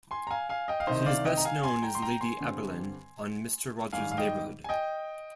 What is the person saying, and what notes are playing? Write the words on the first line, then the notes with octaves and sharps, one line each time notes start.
She is best known as "Lady Aberlin" on "Mister Rogers' Neighborhood".
G#5 C6
A#5
F5 G#5
F5 G#5
D#5 G5
F5
C2 C3 D#3 C5 D#5
D5 F5
D#5 G5
A#5
F5 G#5
G#5 C6
G5 A#5
C6
G5 A#5
G#5 C6
G2 D3 G3 C4
G#2 D#3 G3 F5 G#5
F5
D#5 G5
G#5
D#5 G5